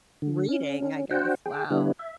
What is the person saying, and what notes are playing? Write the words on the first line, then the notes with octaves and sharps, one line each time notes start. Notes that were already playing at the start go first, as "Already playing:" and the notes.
reading, I guess, wow
D3
C#4
D4 F#4 C5 F#5 G5
G#4 G5
D3 G3 B3 D4 E4
E5